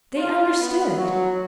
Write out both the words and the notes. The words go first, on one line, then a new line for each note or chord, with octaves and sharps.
They understood.
F4
B3
F#3